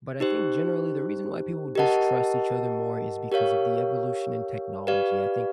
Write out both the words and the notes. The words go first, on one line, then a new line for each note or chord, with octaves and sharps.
But I think, generally, the reason why people distrust each other more is because of the evolution in technology, I think
D#4 G4 C5
G4 A#4 D#5 F#5 A5
G4 A#4 C#5 F5
G4 B4 D5 F5